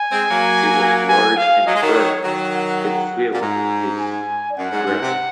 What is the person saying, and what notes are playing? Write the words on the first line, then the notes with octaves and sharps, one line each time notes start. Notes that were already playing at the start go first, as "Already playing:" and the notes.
It was large and firm; it filled his grasp.
Already playing: G#5
G#3 C4
F#3 A#3
G#5
F5
F#3 D#5
G#3
D#3 F#3
C#5
D#3 F#3
F#5
F#5
A#2
G#2 A#5
G#5
F#2 F#5
G#2
G#2
C3